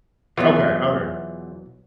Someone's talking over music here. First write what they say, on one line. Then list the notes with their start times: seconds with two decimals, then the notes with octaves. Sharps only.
Okay, alright.
0.37 E2 B2 E3 F#3 B3 F4